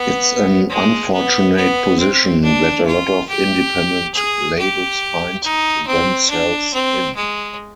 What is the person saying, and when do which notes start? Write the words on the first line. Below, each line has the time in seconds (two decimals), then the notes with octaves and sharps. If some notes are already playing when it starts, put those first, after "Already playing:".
It's an unfortunate position that a lot of independent labels find themselves in.
Already playing: B3
0.70 G#3
1.13 B3
1.56 B3
1.99 C4
2.43 D4
2.86 F4
3.29 G4
4.14 G#4
4.59 G4
5.44 D#4
5.87 C4
6.30 D4
6.73 C4
7.16 G#3